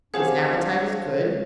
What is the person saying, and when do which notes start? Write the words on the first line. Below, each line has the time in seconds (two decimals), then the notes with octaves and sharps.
"His appetite is good?"
0.14 C4 D4 G4 G#4 C5 C#5 F5 F#5